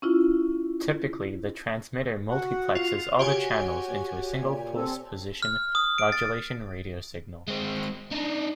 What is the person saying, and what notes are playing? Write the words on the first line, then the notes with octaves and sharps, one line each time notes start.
Typically the transmitter multiplexes all the channels into a single pulse-position modulation radio signal.
C#4 E4 F4
F#4 F#5
F4
F#4 G4 C#5 G#5
A#2
C4 A4
F6
D#6
D7
A6
G#3 C4
D4 D#4